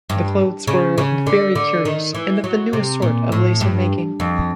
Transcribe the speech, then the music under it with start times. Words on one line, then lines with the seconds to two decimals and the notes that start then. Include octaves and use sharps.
The clothes were "very curious and of the newest sort of lace and making".
0.10 G2
0.67 C#3
0.98 C#3
1.27 D3
1.55 D3
1.85 D#3
2.14 E3
2.44 F#3
2.73 C3
3.02 A#2
3.32 A2
3.61 G2
4.20 F2